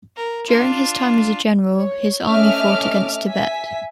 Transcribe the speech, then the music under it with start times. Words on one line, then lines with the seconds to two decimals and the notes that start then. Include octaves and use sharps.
During his time as a general, his army fought against Tibet.
0.16 A#4
0.47 D4 F4
1.75 C#5
2.25 A3 C#4 D#5 E5 D6 F6
3.27 E5 G#5 B6